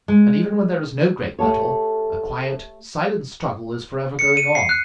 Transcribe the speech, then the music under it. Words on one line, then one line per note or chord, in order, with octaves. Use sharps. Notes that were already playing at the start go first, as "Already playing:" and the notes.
And even when there is no great battle, a quiet, silent struggle is forever going on.
G#3
A3 G4 A4 C#5
C#7
D#7
C7
F#6